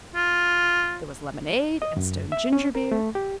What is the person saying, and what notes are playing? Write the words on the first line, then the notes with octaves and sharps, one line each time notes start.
There was lemonade and stone ginger-beer. . . .
F4
D#5
F#2
E5
C#4
A#4
A3
G4